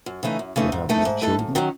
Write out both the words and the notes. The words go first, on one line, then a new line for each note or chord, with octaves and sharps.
You have no children.
F#2
C#3 E3 A3 D#4
F#2
C#3 E3 A3 D#4
G#2
E3 A3 D#4 A4
G#2
E3 A3 D#4 A4
F#2
D#3 F#3 C#4